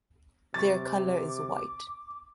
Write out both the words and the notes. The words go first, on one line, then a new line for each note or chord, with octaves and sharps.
Their color is white.
C3 C#6 D6 A6